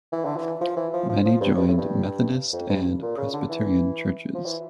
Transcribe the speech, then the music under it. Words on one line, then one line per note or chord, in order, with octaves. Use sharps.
Many joined Methodist and Presbyterian churches.
E3
D3
E3
F3
E3
F3
F3
F3
G2
G2
A2
G2
F2
G2
A#2
C#3
D3
E3
F3
E3